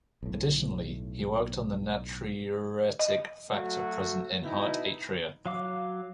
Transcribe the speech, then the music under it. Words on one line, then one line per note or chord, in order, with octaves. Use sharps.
Additionally, he worked on the natriuretic factor present in heart atria.
B1 A2
D#5
F#3 A3 F#4
B2 D#4 E4
F#3 F5 D6